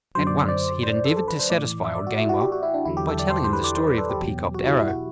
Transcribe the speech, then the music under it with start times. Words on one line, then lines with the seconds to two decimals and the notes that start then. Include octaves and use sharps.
At once he had endeavored to satisfy old Gamewell by telling him the story of the peacocked arrow.
0.15 F#2 D3 F#3 C5
0.27 D5
0.38 D5
0.48 D5
0.83 C5
1.05 A4
1.17 A4
1.28 B4
1.39 C5
1.50 A2 E3 D5
1.84 E5
1.95 D5
2.07 F#4
2.18 E4
2.29 F#4
2.40 G4
2.52 F#4
2.63 E4
2.74 D4
2.85 E2 D3 F#3 E4
2.97 G4
3.08 A4
3.19 D5
3.30 C5
3.44 C5
3.53 B4
3.64 D5
3.75 C5
3.87 B4
3.98 A4
4.09 G4
4.21 E2 B2 F#3
4.54 F#4
4.66 E4
4.77 E4
4.88 F#4